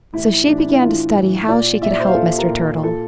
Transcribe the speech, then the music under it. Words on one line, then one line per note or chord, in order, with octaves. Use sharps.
So she began to study how she could help Mr. Turtle.
A2 E3 E4
A2 E3 D4
E4
E4
A2 E3 F4
A2 E3
A#2 D5
A#2 E5
D5
C5
F5
A#2 A4
A#4
A#2
A#2 A4